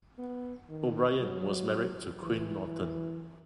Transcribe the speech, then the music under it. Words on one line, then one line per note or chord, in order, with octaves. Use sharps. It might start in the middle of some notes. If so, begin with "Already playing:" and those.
O'Brien was married to Quinn Norton.
B3
D#3
F#3
E3